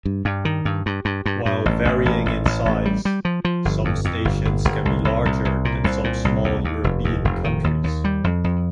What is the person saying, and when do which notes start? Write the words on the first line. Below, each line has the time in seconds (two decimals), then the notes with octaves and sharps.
While varying in size, some stations can be larger than some small European countries.
0.05 G2
0.25 G2
0.45 D#3
0.65 G2
0.86 G2
1.05 G2
1.26 G2
1.46 G2
1.66 A1
1.85 A1
2.05 A1
2.26 A1
2.45 A1
2.65 A1
2.85 G3
3.05 G3
3.25 F3
3.45 F3
3.65 G1
3.85 F2
4.05 F2
4.25 G1
4.45 G1
4.65 G1
4.85 C2
5.05 C2
5.25 C2
5.45 C2
5.65 A#2
5.84 C2
6.04 A#2
6.25 C2
6.44 D#2
6.64 D#2
6.84 F1
7.04 D#2
7.25 F1
7.44 D#3
7.64 D#2
7.84 D#2
8.04 G3
8.24 F2
8.44 F2